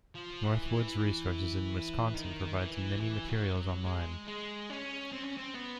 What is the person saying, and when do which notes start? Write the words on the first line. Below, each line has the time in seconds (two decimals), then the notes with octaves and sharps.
Northwoods Resources in Wisconsin provides many materials online.
0.15 F3
0.43 E3
2.14 D#3
2.57 E3
3.00 E3
3.28 F#3
3.56 F#3
3.84 G#3
4.27 G#3
4.70 C#4
5.13 C4
5.24 C#4
5.37 C4
5.55 B3